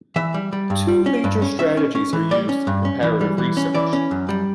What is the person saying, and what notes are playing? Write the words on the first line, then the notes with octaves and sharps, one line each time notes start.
Two major strategies are used in comparative research.
E3 E5
G3
G3
G2
G3
C#4
G2
C#4
C#4 E5
C#4
C#4
E3
G3 D5
C#4
G2
C#4
E3
G3
E3
C#4
E3 D5
C#4
F#2
G3